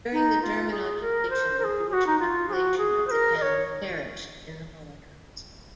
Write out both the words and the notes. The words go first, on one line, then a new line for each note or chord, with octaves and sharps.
During the German occupation the Jewish population of the town perished in the Holocaust.
D#4
F4
G#4
A#4
C5
A#4
G#4
G#4
F#4
D#4
F4
G#4
F#4
G#4
C5
A#4
D#5
C#5